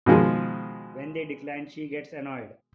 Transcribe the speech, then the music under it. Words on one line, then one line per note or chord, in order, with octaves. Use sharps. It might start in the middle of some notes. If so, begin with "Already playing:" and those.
When they decline, she gets annoyed.
B2 D#3 F3 G#3